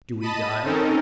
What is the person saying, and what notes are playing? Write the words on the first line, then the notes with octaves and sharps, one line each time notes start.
Do we die?
D#5 A5 B5 D#7
C4 C#4 D#4 A4 A#4